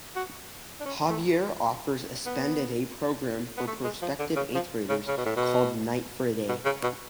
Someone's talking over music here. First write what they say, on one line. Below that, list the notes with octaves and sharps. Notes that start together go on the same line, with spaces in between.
Xavier offers a spend-a-day program for prospective eighth graders called "Knight For A Day".
F#4
D4
C#4
A3
B3
B3
A3
G#3
F3
D3
C#3
F3
C#3
C#3
B2
A2
B2
B2
C#3
B2